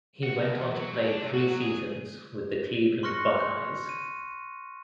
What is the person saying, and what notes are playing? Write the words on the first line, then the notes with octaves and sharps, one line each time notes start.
He went on to play three seasons with the Cleveland Buckeyes.
F#4
B1
E2
F#3
G#2
D4
C3
F#4
F#3
G#4
C6 C#6 F6 F#6 A#6 C#7
D#7